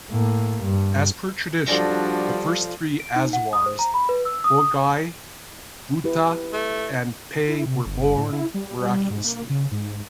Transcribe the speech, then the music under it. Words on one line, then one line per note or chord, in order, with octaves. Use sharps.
As per tradition, the first three "azhwars", Poigai, Bhutha and Pey were born miraculously.
A2 A#3
G2
F3 G3 D4 F#4 A4 D5 A#6
D7
D#4
F#5
D#6
C5
A#5
B5
B4
E6
D#6
D#6
E4 G4 B4
A3
E4
C3
G1
A2
E4
G3
G#2
A#3
C#3
G#2